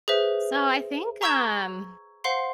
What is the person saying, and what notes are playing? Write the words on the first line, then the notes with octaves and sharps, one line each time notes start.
So, I think, um
G#4 B4 C5 E5
A#5 C#6 E6 G6 G#6 E7
C5 F5 F#5 C6 C7